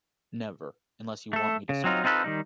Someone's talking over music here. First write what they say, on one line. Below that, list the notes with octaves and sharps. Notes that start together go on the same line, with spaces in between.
Never, unless you want me to smoke.
A3 A4
C#3
F#3 C4 D#4 F4
C4 D#4 F4 A4 B4
D#3 G3 D#4